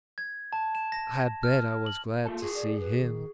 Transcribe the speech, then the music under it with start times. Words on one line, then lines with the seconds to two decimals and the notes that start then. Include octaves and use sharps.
I bet I was glad to see him.
0.18 G#6
0.53 A5
0.75 E7
0.92 A#6
1.43 F6
1.86 F#7
2.25 A#3 F4 A4 A5
2.42 F#4 G#4
2.55 D5
2.80 B4
2.99 D#3